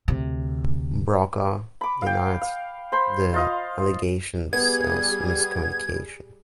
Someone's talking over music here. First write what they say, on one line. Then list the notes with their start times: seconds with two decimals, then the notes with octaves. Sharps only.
Brokaw denied the allegations as miscommunication.
0.08 D2 C3
1.81 B5 D6
2.02 F5 G5
2.41 F5
2.92 C5 B5 C6
3.34 F4 D#5 F5
4.53 G3 B3 G#4 G#6